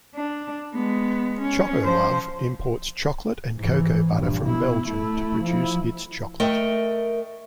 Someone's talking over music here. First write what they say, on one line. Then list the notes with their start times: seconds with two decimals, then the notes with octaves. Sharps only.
Chocolove imports chocolate and cocoa butter from Belgium to produce its chocolate.
0.15 D4
0.74 G#3 B3
1.41 C#4
1.83 F3 C5
3.56 G#2 E3
4.13 A#1 G2
4.46 B2 E4
4.88 A3 E4
5.43 F3 E4
6.40 A3 A#4 D#5 G5